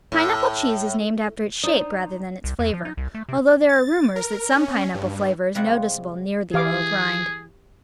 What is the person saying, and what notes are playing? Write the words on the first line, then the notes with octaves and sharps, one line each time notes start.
Pineapple cheese is named after its shape rather than its flavor, although there are rumors that some pineapple flavor is noticeable near the oiled rind.
A2
D4 D#4 C5 D5 D#6
C2
E2
F3
D#4
C2
A3
C3
A6
A#4
C#4
G2
C3 G3 G#3 C4 F4 F#5
E3 G4 G#4 F5 D6